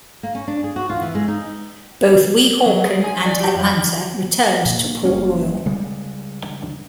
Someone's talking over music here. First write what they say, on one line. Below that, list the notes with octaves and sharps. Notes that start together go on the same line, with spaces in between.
Both "Weehawken" and "Atlanta" returned to Port Royal.
A#3
C#4
D4
G#4
F#4
F4
E3
G#3
D#4
F#3
G#4
G#5
D5
G4
F2
A#2 A#3
F#1 G3 A#3 C#4
C#3 G3 G#3